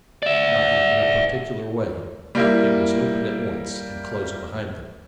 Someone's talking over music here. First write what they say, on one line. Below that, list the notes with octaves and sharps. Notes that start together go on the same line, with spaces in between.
Knocking in a particular way it was opened at once and closed behind them.
D5 E5
G3 A#3 E4